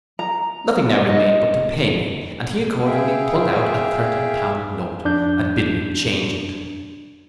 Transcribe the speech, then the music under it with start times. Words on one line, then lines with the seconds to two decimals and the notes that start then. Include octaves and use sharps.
Nothing now remained but to pay me, and he accordingly pulled out a thirty pound note, and bid me change it.
0.19 A#5
1.09 D#5
2.84 G#4 E5 F5 G5
5.05 F2 D4 G6